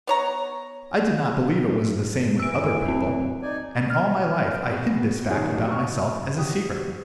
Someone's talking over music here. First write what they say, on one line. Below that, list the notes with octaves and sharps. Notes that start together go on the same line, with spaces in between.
I did not believe it was the same with other people, and all my life I hid this fact about myself as a secret.
B3 C#5 A#5
E3 E6 D7
C4
D#4 D5 G#5
F6
B3 C4 F#4 G#4 B4
C3 D#3 F#3 C#4 F#4 G#4
B1 F2
F#4 C#5 C#6 F6
F#4 G4 D#6